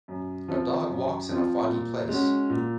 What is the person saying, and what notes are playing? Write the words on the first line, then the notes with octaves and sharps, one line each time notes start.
A dog walks in a foggy place.
F#2
F3 C4 F4
F#2
F3 C4 F4
A#2
G#3 C#4 F#4
A#2